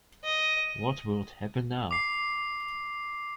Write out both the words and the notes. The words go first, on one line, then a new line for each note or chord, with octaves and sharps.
What would happen now?
D#5
D6 C7